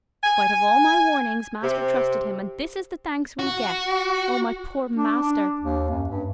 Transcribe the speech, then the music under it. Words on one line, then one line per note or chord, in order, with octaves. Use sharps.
Spite of all my warnings, master trusted him, and this is the thanks we get. Oh, my poor master!
G#5
C3
F#4
D4
D4
D#2
F#2
G2